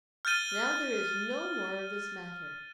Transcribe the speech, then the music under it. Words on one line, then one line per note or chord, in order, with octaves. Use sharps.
Now there is no more of this matter.
F6 G6 A6 D#7 G7